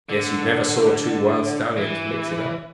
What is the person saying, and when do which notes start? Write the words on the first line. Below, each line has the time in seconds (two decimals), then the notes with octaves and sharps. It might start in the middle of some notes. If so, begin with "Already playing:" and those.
"Guess you never saw two wild stallions mix it up."
0.09 D3
1.77 E3